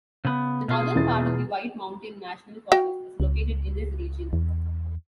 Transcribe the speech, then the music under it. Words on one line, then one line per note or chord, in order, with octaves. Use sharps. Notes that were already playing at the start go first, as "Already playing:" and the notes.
The northern part of the White Mountain National Forest is located in this region.
C#3 B3
B2 F4 G#4
E2 E4 A6
F#4 G5
C#2
E2